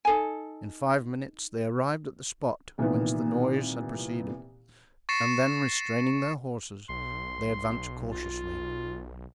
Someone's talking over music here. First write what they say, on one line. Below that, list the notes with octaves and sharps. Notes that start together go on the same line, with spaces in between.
In five minutes they arrived at the spot whence the noise had proceeded, and then restraining their horses, they advanced cautiously.
D#4 A4 G#5
C2 A#2 D#3 E3 A#3 B3
C#6 A6 A#6 C7 C#7 E7
B1 C6
F4